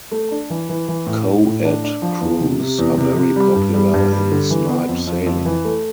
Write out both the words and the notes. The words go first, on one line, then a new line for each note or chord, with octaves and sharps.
Co-ed crews are very popular in Snipe sailing.
A3
D4
E3
E3
E3
A2
A2
A2
D4
D4
F3
E2
C3
C3
E2
C3
C3
G3
G2
G3
G2
G3
D3
E3
B3
F2
F2
F2
E3
A3